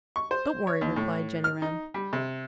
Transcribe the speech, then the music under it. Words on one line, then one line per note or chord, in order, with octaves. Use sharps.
"Don't worry," replied Jenny Wren.
C#6
C5
C#5
D#2
A2
F6
D#4
G3
C3